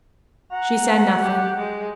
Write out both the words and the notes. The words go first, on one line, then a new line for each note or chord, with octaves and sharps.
She said nothing.
F#5 A#5
G4
G#3